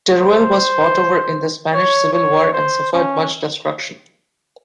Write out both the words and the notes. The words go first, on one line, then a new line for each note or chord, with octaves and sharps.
Teruel was fought over in the Spanish Civil War and suffered much destruction.
C5
C#5
C#5
C5
C#4